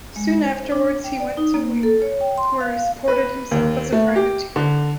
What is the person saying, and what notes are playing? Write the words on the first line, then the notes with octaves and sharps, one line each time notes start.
Soon afterwards he went to Weimar, where he supported himself as a private tutor.
G#3
C5
D4
G5
D5
D#4
A#3
A4
C#5
G5
C6
F5
B4
D#2
A3
G4
D3